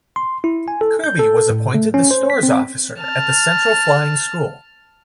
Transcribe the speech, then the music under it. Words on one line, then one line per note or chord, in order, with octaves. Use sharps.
Kirby was appointed the Stores Officer at the Central Flying School.
C6
E4
G#5
A4
G6
A4
A2
A3
C#4
C5
B6
C4
A5 F6